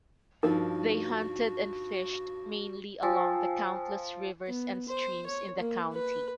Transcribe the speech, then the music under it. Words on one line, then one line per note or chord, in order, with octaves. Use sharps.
They hunted and fished mainly along the countless rivers and streams in the county.
G2 F3 D#4 F#4 A#4
F3 G5 G#5 E6
B3
C5
C#5
A#3
B4